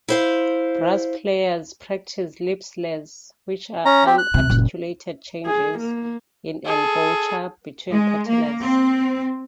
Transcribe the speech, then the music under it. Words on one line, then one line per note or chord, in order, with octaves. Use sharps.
Brass players practice "lip slurs", which are unarticulated changes in embouchure between partials.
E4 C5 F5
C#4 A#5
C4 G4
F#6
D2 C3
F#1 A#2
G#4
A#3
G#4 A4
G#3
A#3
C4